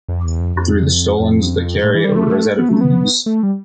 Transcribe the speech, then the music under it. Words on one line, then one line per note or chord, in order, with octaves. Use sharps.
Through the stolons that carry a rosette of leaves.
F2
E2
F2
F2
F2
A2
E3
G3
A3
B3
A3
B3
A3
G3